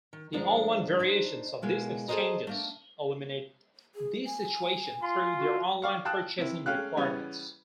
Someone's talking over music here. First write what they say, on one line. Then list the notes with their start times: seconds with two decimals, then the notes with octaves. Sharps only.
The online variations of these exchanges eliminate this situation through their online purchasing requirements.
0.13 D#3
0.33 G2 D3 F3 G#3 D4 A#5
0.99 D4 D#4 C5
1.62 B2 G#3 A#3 E4
2.08 G#4 A4 B4 C5 D#5 A#5
2.47 A3 A#3 D4
3.95 G#4
4.26 G#5
5.02 F4 C6
5.39 F#4
5.82 D5 F5 C#6
6.05 F5 G5 A5 D#6 F#6
6.39 C3 E4
6.66 G#3 A3 C#4 F5 G5 F#6
6.97 C#3 E3 G3 B3 C#4